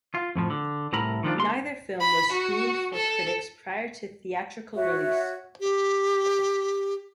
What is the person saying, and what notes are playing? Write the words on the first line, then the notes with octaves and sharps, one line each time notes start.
Neither film was screened for critics prior to theatrical release.
F4
F2 A2 F3
D3
C2 A2 E4 A#4 A#5 B5
D#3 F3 D4 F4
D3 A#3 F5 C6
B5
F#4
A4
F#4 C#5 E5
G4